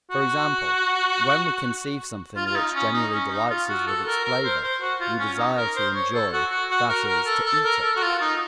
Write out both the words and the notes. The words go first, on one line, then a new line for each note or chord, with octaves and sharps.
For example, when we conceive something which generally delights us with its flavour, we desire to enjoy, that is, to eat it.
F#4
F4
F4
D#4
C#4
D#4
C#4
D#4
F4
F#4
A4
A#4
A#4
C5
C5
F#4
F4
C#4
D#4
A#4
C5
C#5
A4
F#4
F#4
F#4
A#4
A#4
A4
A4
A#4
A4
F#4
F4
D#4